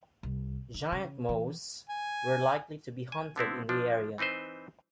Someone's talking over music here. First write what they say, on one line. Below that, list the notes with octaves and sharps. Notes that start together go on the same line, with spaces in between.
Giant moas were likely to be hunted in the area.
C2
D#3
C#3
E3
G#5
G#5
D3 B3 C4 E4
F3 D4
E3 C4 D#4 B4 C5